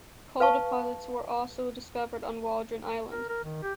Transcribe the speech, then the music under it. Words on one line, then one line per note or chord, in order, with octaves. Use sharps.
Coal deposits were also discovered on Waldron Island.
B4 F5 A5 C#6
A#4
A#4
D#3
G4